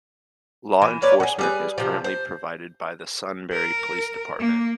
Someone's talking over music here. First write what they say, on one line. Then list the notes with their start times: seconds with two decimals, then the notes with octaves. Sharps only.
Law enforcement is currently provided by the Sunbury Police Department.
0.82 E3
1.02 A#4 B4 C#5 D5
1.20 F#4 G#4
1.39 G3 G#4 B4
1.78 C3 F3
2.04 C5
3.53 A#4
4.40 A#3